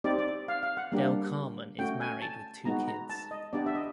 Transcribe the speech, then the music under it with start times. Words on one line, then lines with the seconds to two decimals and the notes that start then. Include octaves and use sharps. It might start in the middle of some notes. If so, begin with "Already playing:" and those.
Del Carmen is married with two kids.
0.04 C4 D#4 G4 D5
0.19 D5
0.48 F5
0.63 F5
0.77 F#5
0.92 G3 A#3 D4 G4
1.78 A3 C#4 F#4 G5
2.01 G#5
2.22 A5
2.65 G#3 B3 D#4 F#4 A#5
2.88 A#5
3.10 A5
3.31 D#5
3.53 B3 D4 G4 D5
3.66 E5
3.75 D#5